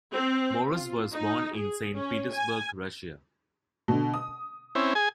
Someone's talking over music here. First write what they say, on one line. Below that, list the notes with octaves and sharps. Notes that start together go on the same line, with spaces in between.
Morros was born in Saint Petersburg, Russia.
C4
F4
D#4
G#4
C#4
G#5
B2 D3
D#6
C4 C#4 E4
G#4 G#5